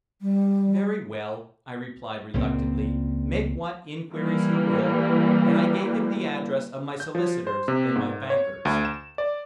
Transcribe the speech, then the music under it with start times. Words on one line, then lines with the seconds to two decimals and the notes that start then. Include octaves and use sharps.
"Very well," I replied reluctantly; "make what inquiries you will." And I gave him the address of my solicitors and my bankers.
0.21 G3
2.34 C#2 A#2 F#3 C4
4.15 E3 G3 A#3
7.00 G6
7.15 F3
7.47 C5
7.68 C3
7.96 G#2
8.30 C#5
8.65 D2
8.85 E7
9.18 D5